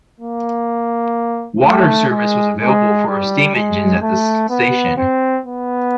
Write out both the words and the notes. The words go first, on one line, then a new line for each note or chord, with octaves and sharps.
Water service was available for steam engines at this station.
A#3
A3
G#3
G#3
G3
G#3
A3
B3
C4
B3